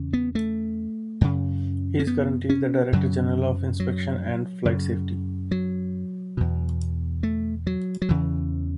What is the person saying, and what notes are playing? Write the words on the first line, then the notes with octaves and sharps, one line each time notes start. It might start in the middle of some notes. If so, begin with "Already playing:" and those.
He is currently the Director General of Inspection and Flight Safety.
Already playing: E2 C#3
B3
A3
F#2 C#3
C#4
B3
C#4
F#2 C#3 F#3
F#3
F#2 C#3
F#3
E2 B2
A3
F#3
F#3
E2 C#3 E3